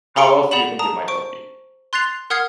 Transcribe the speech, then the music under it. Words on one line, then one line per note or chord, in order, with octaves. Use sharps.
how else do you think it might help you?
G4 A4 A#5 C6 C#7 D7
G#4 D5 F#5 B5 E7 F#7
A5 A#5 D#6
C5 C#6 D7
C6 F#6 A6 C7 F7
A#4 F#5 D#6 F6 G#6 C7